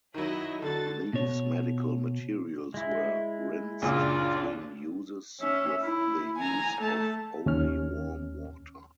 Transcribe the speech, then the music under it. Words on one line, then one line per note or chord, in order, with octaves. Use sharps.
These medical materials were rinsed between uses with the use of only warm water.
D#3 F#3 E4 D#5
D3 F#4 A4 A6
B2 C#5
G#3 E4
C#2 F#2 A#2 D4 F4
C#4 E5
E4
G#5 A#5
A3 A5
D#2 C#4 F6